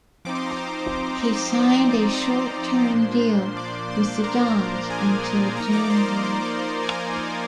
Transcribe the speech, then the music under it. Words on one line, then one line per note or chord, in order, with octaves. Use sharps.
He signed a short-term deal with the Dons until January.
F3 C4 D#4 D6
C6
A#5
C5 C6
D5 D6
D5 D6
D6
C5 C6
A#2 F3 A#3 D4
D5 D6
C5 C6
A#4 A#5
G#4 G#5
F3 A#3 D#4 A#4 A#5
D5 D6
C5 C6
A#4 A#5
C5 C6
D5 D6
C5 C6
G#5
A#4 A#5